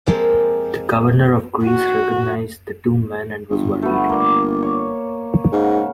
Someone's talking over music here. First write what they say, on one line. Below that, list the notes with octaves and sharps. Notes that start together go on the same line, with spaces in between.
The Governor of Greece recognised the two men and was worried.
F3 G#3 A#3 C4 G4
F#4
G1
A3 B3
A#3 D5
C#5 D6
G#2 C#3 F5 F#5